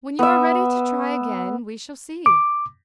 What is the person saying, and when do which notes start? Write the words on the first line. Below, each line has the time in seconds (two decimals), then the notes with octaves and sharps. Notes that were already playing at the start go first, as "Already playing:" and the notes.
"When you are ready to try again, we shall see."
0.19 B3 E5
2.26 D6